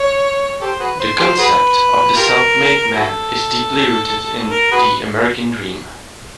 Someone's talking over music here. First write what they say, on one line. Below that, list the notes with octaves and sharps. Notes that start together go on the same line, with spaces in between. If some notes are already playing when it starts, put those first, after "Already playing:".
The concept of the self-made man is deeply rooted in the American Dream.
Already playing: C#5
G4 A4 C5
F#4 G#4 B4
C5
G4 A4 C5
F#4 G#4 B4
F4 G4 A#4
A#4
E4 F#4 A4
A#4
F#4 G#4 B4